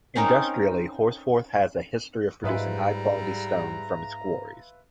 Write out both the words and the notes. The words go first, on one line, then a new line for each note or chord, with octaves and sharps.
Industrially, Horsforth has a history of producing high quality stone from its quarries.
C4 C#4 D#4 A#4
G#2 G3 F4 B4 E5 A#5